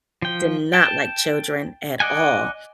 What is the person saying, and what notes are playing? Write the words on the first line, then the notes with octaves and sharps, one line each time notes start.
did not like children at all.
F3 G5
G5 A5
D5 D#5 F#5 G#5